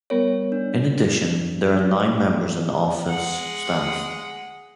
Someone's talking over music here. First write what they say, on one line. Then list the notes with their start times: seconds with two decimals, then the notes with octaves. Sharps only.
In addition, there are nine members in the office staff.
0.10 G3 B3 A#4 C#5
0.52 D4
3.09 G#3 F#5